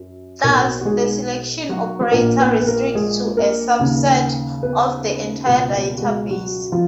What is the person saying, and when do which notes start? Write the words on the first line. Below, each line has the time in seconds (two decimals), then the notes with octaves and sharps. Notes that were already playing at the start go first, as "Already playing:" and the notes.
Thus, the selection operator restricts to a subset of the entire database.
Already playing: F#2
0.44 B1 B2 A#3 A#4
0.81 F#4
0.85 G#3 G#4
1.69 F#3 F#4
2.11 A#1 A#2 A#3 A#4
2.39 B3 B4
2.60 B4
2.67 A#3 A#4
2.95 G#3 G#4
3.37 A#3 A#4
3.79 D#2 C#3
4.63 B3 B4
5.46 C#2 B2 B3 B4
5.74 A#3 A#4
5.98 F#4
6.02 G#3 G#4
6.30 F#3 F#4
6.72 F3 F4